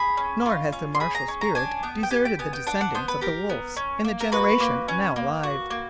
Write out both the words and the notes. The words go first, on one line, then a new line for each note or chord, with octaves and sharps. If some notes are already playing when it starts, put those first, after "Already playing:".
Nor has the martial spirit deserted the descendants of the Wolfes in the generation now alive.
Already playing: G#4 B5
C#4
F4
C#4
C6
G#4 B5
A#5
C#4
A#5
D4 G#5
B3 G5
G5
G4 G#5
G5
B3 G#5
G5
D4 F#5
F#5
B3 C5
B4
G4 A#4
B3
C#4
A#3
A#4
F#4 B4
A#3
C#4
A#3
F#4
A#3